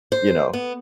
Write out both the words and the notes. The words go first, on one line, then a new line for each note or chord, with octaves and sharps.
You know?
C5
B3